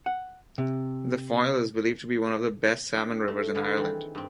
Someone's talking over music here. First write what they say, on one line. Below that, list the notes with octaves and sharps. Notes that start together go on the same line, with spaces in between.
The Foyle is believed to be one of the best salmon rivers in Ireland.
F#5
C3
D4 G4 G5
A3
D3 E4 G#4 A4
D#3 E3 C4
G2 C4